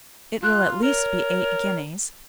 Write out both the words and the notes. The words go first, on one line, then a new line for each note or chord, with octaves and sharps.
It will at least be eight guineas.
F4 F#6
A#4 C#5